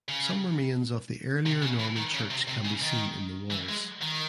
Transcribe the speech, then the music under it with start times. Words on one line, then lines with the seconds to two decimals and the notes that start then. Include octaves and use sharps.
Some remains of the earlier Norman church can be seen in the walls.
0.09 C#3
1.46 C3
1.62 C#3
1.80 E3
1.97 D#3
2.14 C#3
2.31 C3
2.48 C3
2.65 C#3
2.82 D#3
3.51 E3
3.69 G#3
4.02 D#3